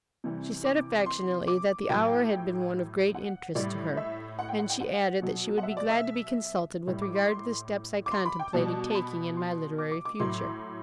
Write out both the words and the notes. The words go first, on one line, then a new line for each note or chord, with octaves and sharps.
She said affectionately that the hour had been one of great interest to her, and she added that she would be glad to be consulted with regard to the steps I contemplated taking in my literary future.
C3 E3 G3
D6
C6
D6
A2 F#3 G5
F#5
A2 G3 D5
E5
F#5
G5
F#5
G5
F#5
B2 F#3
F#5
E5
D5
E5
A2 G3
D6
C6
C6
D6
C6
B5
G5
B2 G3 A5
A5
B5
C6
D6
D6
D6
A2 F#3 C6